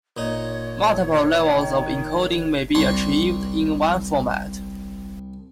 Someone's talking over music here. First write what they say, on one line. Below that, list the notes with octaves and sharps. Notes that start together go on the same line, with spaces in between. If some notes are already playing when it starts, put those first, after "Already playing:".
Multiple levels of encoding may be achieved in one format.
A#2 D#4 C#5
D#3
C2 D4 C#5 C6